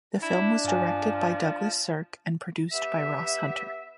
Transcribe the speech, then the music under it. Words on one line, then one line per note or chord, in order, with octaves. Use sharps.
The film was directed by Douglas Sirk and produced by Ross Hunter.
D4 E4
G2 F3 G#5
B3 G4 E5